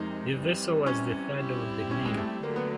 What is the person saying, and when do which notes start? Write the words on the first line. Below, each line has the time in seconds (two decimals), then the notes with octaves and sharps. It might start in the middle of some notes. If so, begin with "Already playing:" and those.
The vessel was the third of the name.
Already playing: F2 C3 D#3 G#3 D#4
0.35 C3 E3 G3
0.86 C#4
1.38 G3 C4 E4 G4
1.91 C#4
2.05 G#3
2.17 A3
2.43 D3 F#3 A3 A#3
2.56 B3